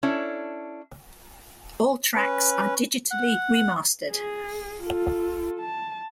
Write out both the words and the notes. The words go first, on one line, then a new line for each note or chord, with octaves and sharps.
All tracks are digitally remastered.
C#4 D4 E4 A4
C#4 B4
F#5
G#4
F4 A4
A5